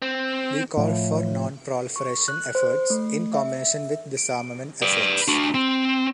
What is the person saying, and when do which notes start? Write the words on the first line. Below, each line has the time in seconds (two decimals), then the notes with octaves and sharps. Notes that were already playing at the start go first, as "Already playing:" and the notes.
We call for non-proliferation efforts in combination with disarmament efforts.
0.02 C4
0.77 A2 F3
1.96 C#6
2.28 F#6
2.55 C5
2.90 A3
3.33 E5
4.17 D7
4.82 B4 D5
5.28 D4 F#4
5.54 C4